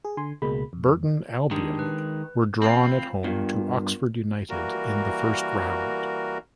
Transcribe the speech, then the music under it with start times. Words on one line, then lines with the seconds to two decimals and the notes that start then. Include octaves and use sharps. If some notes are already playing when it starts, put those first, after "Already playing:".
Burton Albion were drawn at home to Oxford United in the first round.
0.05 G#4
0.17 D3 G#5 C6
0.42 C#2 B2 G#3 A#3 B5
0.73 F2
1.51 D#3 G#3 D4 G4
1.79 B4
2.62 C4 F4 B5 C7
3.24 G2 B3 F4 A#4
4.50 E3 G3 A#3 F#4 A#4